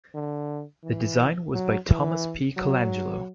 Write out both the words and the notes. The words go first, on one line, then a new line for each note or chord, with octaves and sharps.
The design was by Thomas P. Colangelo.
D3
E3
F#3
E3
F#3